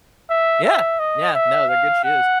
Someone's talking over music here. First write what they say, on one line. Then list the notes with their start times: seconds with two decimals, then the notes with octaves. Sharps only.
Yeah. Yeah. No, they're good shoes.
0.30 E5
0.65 E5
0.99 D#5
1.35 E5
1.69 F5
2.04 F#5